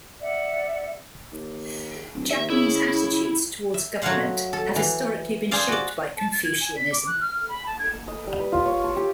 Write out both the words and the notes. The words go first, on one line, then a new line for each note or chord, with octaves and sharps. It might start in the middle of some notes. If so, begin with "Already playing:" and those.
Japanese attitudes towards government have historically been shaped by Confucianism.
D5 E5 F#5
D#2
D1
D#2 E5
C#3 E4
E5
F#3 A3 C#5 F5 F#5 C6
A4
E3
G#4 C5 D5 F5
F#4 D5
A5
A6
G#6
G#5
B6
D6
F#6
F6
F6
B5
A5
G#6
D#5
G3
B4
F4
C#5
A4
G4